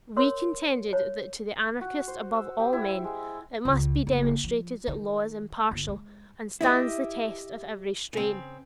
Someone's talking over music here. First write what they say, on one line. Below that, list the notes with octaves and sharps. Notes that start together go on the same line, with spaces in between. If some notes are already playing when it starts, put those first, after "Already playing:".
We contended that to the anarchist above all men it must be demonstrated that law is impartial and stands the test of every strain.
A#4 C#5 C6
C#5
F#4
C5
E6
G4
E4
G#3
C#2
F#1
F3
D#3
G1
G#3
E4 G4 D#5 E5
C#3 C4